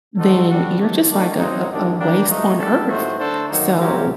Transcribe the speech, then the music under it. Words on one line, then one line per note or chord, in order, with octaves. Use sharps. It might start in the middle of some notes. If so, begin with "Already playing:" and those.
then you're just like a a a waste on earth. So
F#3 C4 D#4 F#4 A4
D3 G3 D4 F#4
C3 D#3 F#3 A3 D4
D#3 A3 D4
F#3 C4 D#4
F#2 D#3 G3 D4
G3 A#3 D4 G4
A2 A3 D#4
A#2 G3 D4 A4
A2 A3 D#4 F#4 C5
D3 A3 D4 A4 C5
F#2 D#3 F#3 A#3 D#4
F#3 C4 G4 A#4